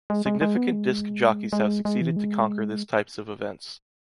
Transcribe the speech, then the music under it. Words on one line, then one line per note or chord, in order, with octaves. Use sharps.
Significant disc jockeys have succeeded to conquer this types of events.
G#3
G#3
G#3
B3
G#3
G#3
G#3
E3
G#3